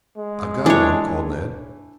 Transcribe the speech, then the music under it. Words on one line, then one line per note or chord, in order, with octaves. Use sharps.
"I've got one," called Ned.
G#3
E3 D4 C#5